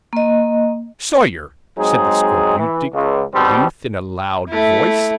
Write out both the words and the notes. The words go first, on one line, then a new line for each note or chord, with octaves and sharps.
'Sawyer,' said the scorbutic youth, in a loud voice.
A#3 D#5
F#3 G#3 C4 D#4 G#4
E3
C#2
G#1 B2 G3 C4
A3 E4